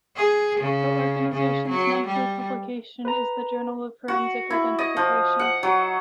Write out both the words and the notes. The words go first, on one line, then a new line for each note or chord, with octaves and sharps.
The organization's monthly publication is the Journal of Forensic Identification.
G#4
C#3
C#3
F#3
G3
B4 A#5
F#4
E4
D#5
F3
F#5
F#3